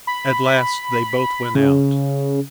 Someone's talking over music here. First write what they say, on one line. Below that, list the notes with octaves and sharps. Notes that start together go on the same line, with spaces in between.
At last they both went out.
B5
C#3